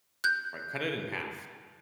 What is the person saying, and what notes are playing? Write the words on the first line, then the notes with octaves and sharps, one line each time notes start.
right? Cut it in half.
F#6 G6